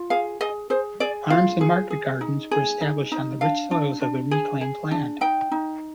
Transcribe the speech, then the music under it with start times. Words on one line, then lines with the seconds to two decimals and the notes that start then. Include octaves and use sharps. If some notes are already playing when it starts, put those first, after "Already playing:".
Farms and market gardens were established on the rich soils of the reclaimed land.
Already playing: F4
0.10 G#4 F5
0.41 G#4 D#5
0.70 G#4 C5
1.00 G#4 D5
1.30 F4 F5
1.61 G#4
1.90 G#4
2.21 D#4
2.51 G#4
2.81 D#4
3.12 D#4
3.41 D4 F5
3.71 D4
4.01 D4
4.31 G#4
4.61 G#4
4.91 D4
5.21 D#4 G5
5.51 D#4